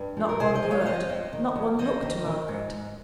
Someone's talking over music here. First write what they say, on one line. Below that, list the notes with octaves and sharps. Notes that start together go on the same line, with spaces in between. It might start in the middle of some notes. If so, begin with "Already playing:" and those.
Not one word: not one look to Margaret.
Already playing: G2
F3
A#4
C3 G#4 C5
C5 D#5
F3
C#5 F5
F5
F2 C5 D#5
F2
D#3
F2
F2 C5 D#5
D#3
D#3
G#2
G#2